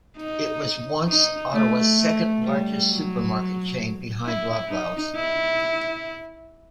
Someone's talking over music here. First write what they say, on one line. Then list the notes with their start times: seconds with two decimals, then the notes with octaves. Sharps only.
It was once Ottawa's second-largest supermarket chain behind Loblaws.
0.17 D#4
1.08 D#4
1.53 A3
1.99 A3
2.43 G3
2.88 F#3
4.25 E4
4.69 D#4
5.16 E4